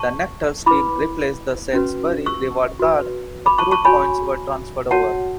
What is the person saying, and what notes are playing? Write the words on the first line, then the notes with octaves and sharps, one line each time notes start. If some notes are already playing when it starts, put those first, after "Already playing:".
The Nectar scheme replaced the Sainsbury's Reward Card; accrued points were transferred over.
Already playing: A5 C#6
E4 B4 B5 D6
C#4 F#4 B4
C#6 E6
F#4 B4
B5 D6
A5 C#6
A5 C#6
F#4 C#5 G#5 B5
F#4 C#5 F#5 A5